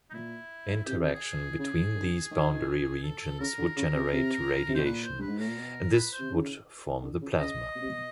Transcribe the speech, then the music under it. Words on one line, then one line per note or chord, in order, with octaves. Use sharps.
Interaction between these boundary regions would generate radiation, and this would form the plasma.
D#4
A#2 E4
C3 G4
G4
G#4
C#3 G#4
D3
D#3
A4
A4
C#3 A#4
D3
C#3
C3
C3
C3
B2 C5
A#2 B4
C5
G2 B4
G#2
A2 A#4
A#2
B2
B4
C5
C3
C#3
D3
C#3
C#3 D#5
B2
C3
B2